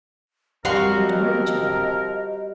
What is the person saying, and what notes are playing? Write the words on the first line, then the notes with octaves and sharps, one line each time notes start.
They adored each other.
F3 G3 C4 F#4 A#4 D#5 F5 C6